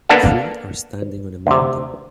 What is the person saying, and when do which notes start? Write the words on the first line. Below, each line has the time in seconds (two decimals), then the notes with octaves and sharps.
Three are standing on a mountain.
0.09 A#3 B3 D4 A4 F5
1.47 D2 C3